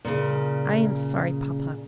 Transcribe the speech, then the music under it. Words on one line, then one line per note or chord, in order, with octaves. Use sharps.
'I am sorry, papa.
A#2 C#3